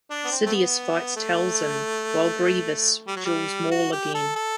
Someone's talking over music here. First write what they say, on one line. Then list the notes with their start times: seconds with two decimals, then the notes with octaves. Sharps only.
Sidious fights Talzin while Grievous duels Maul again.
0.10 D4
0.25 B3
0.31 C4
0.46 A3
0.52 B3
1.16 A3
3.08 G3
3.16 F#3
3.25 G3
3.71 F#4
3.92 G4
4.15 A4
4.36 A4